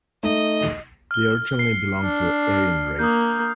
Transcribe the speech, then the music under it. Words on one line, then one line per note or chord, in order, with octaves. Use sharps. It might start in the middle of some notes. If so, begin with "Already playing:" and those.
They originally belong to Aryan Race.
A3 D#4 D#5
F6 G7
C7 C#7
D4
F6
A#3 D#6 F#6 G6